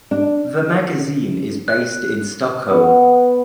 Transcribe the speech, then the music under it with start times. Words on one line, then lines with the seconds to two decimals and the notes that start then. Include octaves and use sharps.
The magazine is based in Stockholm.
0.11 D4
1.68 F#6
2.70 B3